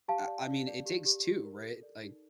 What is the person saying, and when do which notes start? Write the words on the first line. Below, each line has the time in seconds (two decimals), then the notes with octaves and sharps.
I I mean, it takes two, right, like
0.08 G4 F5 A5
0.27 D5
0.47 D5
0.67 D5
0.86 G4
1.05 G4
1.25 G4
1.45 A#4
1.63 A4
1.83 D5
2.02 D#4